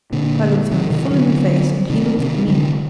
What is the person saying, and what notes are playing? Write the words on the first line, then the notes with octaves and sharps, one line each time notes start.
I looked him full in the face, and he looked at me.
A#2 D3
C3 D#3
C3 D#3
D3 F#3
C3 D#3
C3 D#3
D3 F#3